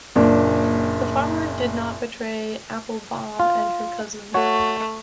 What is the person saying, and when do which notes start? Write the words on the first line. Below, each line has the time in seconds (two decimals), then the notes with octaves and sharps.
The farmer did not betray Applebaum and her cousin.
0.16 F#1 A#2 D4
3.40 F4
4.34 A3 F#4 C#5